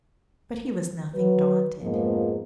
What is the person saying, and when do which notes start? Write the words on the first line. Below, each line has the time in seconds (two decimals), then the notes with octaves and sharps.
'But he was nothing daunted.
1.15 F#3 B4
1.83 F2 G#2 F3 G#3 A#3 B3